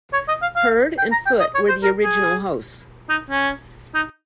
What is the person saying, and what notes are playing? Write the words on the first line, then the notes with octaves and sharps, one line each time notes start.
Heard and Foote were the original hosts.
C#5
D#5
F5
F5
G5
A#5
G5
D#5
C#5
C5
A#4
G#4
D#4
C#4
D#4